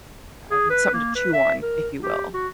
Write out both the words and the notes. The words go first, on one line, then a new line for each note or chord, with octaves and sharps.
um, something to chew on, if you will.
G#4
B4
A#3
B4
E5
A#4
G4
F#4